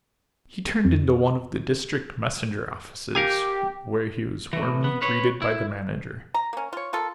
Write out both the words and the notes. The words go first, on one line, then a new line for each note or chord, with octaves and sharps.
He turned into one of the district messenger offices, where he was warmly greeted by the manager.
F2
G4 A#4 F5 G#5
A2 E3
B3
B4 C#5
E4
A#5
A#3 C#4
F4 C#5
A#3 F4 A4